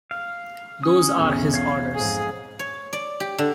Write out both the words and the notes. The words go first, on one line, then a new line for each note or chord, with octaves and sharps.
Those are his orders.
F5
C#4 D#6
B1 E2
C#5 F5
F2 G#2 G#4
C#5
D5
G4
D3